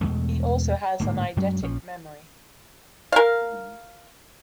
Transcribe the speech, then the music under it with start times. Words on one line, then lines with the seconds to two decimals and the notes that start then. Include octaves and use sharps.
He also has a eidetic memory.
0.01 E2 B2 G#3 A3
1.00 D1 D2 G#2 A#3
1.37 F#2 F#3 G#3 C#4
1.63 A#1 F3 C#4
3.12 A#4 F5